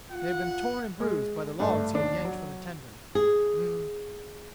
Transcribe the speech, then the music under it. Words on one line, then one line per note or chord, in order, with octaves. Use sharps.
They had been torn and bruised by the logs he had yanked from the tender.
F4 F#5
G#3
G2 A3 D4
D#2 D4
F#3
G#4